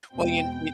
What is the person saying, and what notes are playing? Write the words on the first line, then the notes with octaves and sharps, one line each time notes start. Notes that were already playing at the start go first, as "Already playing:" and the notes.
Well, you in i
E2 B2 G#3 C4 G5